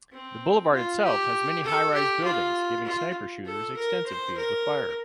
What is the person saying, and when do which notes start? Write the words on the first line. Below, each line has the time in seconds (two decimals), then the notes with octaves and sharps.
The boulevard itself has many high-rise buildings giving sniper shooters extensive fields of fire.
0.12 C4
0.73 F4
1.03 G4
1.64 A4
1.94 G4
2.24 F4
2.85 F4
3.45 A4
3.76 A#4
4.06 C5
4.37 A#4